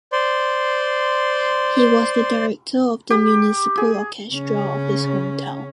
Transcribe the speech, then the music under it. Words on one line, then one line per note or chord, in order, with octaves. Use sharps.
He was the director of the municipal orchestra of his home town.
C5 D5 C6
G4
G#4
C#3 C#4